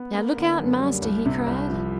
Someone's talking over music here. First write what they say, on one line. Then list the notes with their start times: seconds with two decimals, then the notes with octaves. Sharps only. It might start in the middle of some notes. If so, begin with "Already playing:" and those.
"Now, look out, master!" he cried.
Already playing: B3
0.14 A#3
0.37 D3
0.59 F#2
0.80 G3
1.02 C2
1.26 C3
1.47 C2
1.70 F3